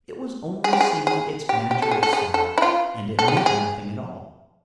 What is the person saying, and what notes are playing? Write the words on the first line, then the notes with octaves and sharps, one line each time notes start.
It was only singing its natural song, and it meant nothing at all.
G#4
G4
G#4
G#4
G4
G4
A4
G#4
A4
G#4
A4
E4
F4
A4
G#4
G4
G#4